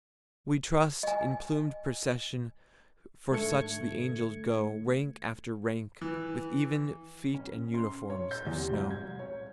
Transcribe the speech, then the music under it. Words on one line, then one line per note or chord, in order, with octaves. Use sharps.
We trust, in plumed procession, For such the angels go, Rank after rank, with even feet And uniforms of snow.
D#5 G#5
G#2 D3 A3 G#6 C#7
E3
C#4
C6
C#5
G6
E2
C3
C2
G#6
C#5